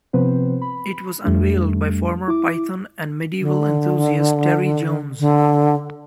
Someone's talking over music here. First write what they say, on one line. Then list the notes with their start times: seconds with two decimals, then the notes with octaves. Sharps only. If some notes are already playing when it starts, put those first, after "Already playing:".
It was unveiled by former Python and medieval enthusiast Terry Jones.
0.13 C3 F3 B3 C4 B4 C5
0.62 B5
1.24 F2 G3 A3 D4
2.28 E4 D6
3.41 D3
5.19 D3